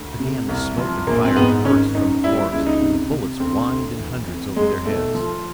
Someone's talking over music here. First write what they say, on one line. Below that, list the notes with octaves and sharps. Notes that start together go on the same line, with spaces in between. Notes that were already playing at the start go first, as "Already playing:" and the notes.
Again the smoke and fire burst from the forest, and the bullets whined in hundreds over their heads.
Already playing: D2
C3
C2
F3
A#1 A#3
C4
G#2 B3
G#1 C#4
F#2 D#4
G3 E4
E4
C#2 E4
D#4
C3
C3
D2 C4
D2
E3
F2
F#3 G#3
B1 A3
F3